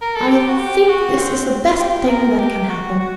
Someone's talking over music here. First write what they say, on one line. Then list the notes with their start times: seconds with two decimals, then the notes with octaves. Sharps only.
I think this is the best thing that can happen.
0.01 A#4
0.15 A4
0.28 G4
0.48 F#4
0.58 G4
0.89 F#4
1.18 C4
1.79 G4
2.09 A#4
2.39 G4
2.70 F#4
3.00 F#4